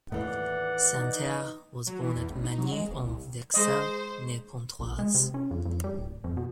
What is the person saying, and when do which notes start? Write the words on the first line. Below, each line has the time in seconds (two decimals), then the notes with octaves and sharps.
Santerre was born at Magny-en-Vexin, near Pontoise.
0.12 D#2 A2 E3 A3 D5 F#5
0.98 D#4
1.87 F#3
2.01 E3
2.16 E2
2.29 A1
2.44 D#4
2.58 F#3
2.72 G#3
2.88 D#1
3.04 C2
3.54 G#3 C5 D#5
4.79 A#1
4.99 G#3
5.15 C3
5.34 C#4
5.51 F2
5.65 F2
5.84 G3
5.99 D1
6.24 F2
6.37 B2